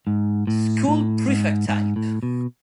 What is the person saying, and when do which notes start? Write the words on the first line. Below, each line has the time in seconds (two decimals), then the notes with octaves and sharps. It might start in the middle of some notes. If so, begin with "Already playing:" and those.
School prefect type.
0.07 G#2
0.47 A2
0.88 A2
1.28 G#2
1.69 G#2
1.96 A2
2.23 B2